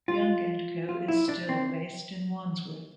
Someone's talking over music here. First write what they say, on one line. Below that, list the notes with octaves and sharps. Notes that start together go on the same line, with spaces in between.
Young and Co is still based in Wandsworth.
F4
F4
E4
D4
C4